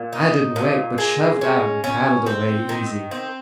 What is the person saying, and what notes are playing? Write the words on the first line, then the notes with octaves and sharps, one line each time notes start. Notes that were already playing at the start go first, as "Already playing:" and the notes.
I didn't wait, but shoved out and paddled away easy.
Already playing: A#2
D#4
A#2
G#3
C#4
C#4
C4
D#3
C4